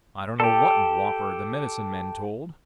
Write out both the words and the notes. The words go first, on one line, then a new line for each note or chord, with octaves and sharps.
I don't know what whopper the medicine men told.
G4 A4